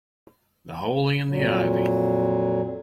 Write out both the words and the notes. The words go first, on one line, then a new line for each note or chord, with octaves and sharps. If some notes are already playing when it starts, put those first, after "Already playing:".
The Holly and the Ivy.
F2 A#2 F#3